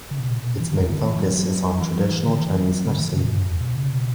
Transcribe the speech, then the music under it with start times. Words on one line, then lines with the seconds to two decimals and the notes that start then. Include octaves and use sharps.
Its main focus is on traditional Chinese medicine.
0.11 C#3
0.20 B2
0.31 A#2
0.41 B2
0.60 E3
0.70 D3
0.80 E2
0.90 D3
1.05 E3
1.20 F#3
1.81 E3
1.95 F#3
2.10 E3
2.25 D3
2.41 E3
2.55 F#3
2.85 C#3
2.93 D3
3.00 E3
3.11 C#3
3.20 A#2
3.31 G2
3.40 F#2
3.51 E2
3.61 B2
3.76 C#3
3.90 B2